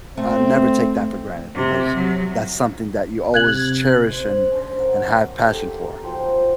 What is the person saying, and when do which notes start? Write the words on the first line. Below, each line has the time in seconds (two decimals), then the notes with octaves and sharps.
uh, never take that for granted, because that's something that you always cherish, and and have passion for.
0.18 A3 C4
1.53 C3
1.94 F#3
3.34 C3 F#6 G#6 F#7
4.09 C5 D#5
4.52 C#4 D4 C5
4.78 A#4 F#5
5.44 D#4 G4 A4
5.67 A#3
6.03 F3 F#4 C5 G5